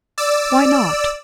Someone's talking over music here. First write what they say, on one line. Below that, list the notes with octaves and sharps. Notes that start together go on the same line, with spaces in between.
"Why not?"
D5 E6